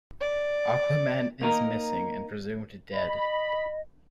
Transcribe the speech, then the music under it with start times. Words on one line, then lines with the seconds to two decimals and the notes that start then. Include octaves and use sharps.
Aquaman is missing and presumed dead.
0.21 D5
1.42 A#3 D#4 A#4
2.95 D#5 B5